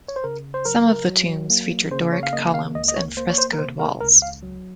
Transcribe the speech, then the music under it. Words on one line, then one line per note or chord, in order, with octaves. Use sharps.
Some of the tombs feature Doric columns and frescoed walls.
C#5
C5
C#3 A#4
C5
F#3 A#4
F#3
A#3
C#3 C5
C#5
F5
A#3 D#5
F5
C#2 D#5
D#5
C#5
A#3 C5
C#5
C5
A#4
C3 C5
A#4
C#2 A#4
F5
F#3